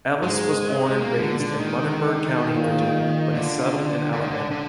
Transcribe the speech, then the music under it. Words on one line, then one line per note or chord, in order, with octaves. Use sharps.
Ellis was born and raised in Lunenburg County, Virginia, but he settled in Alabama.
G#2 G#3
A#3
D3
D3
D#3
G#2
A#2
D3
D3
D#3
D3
D3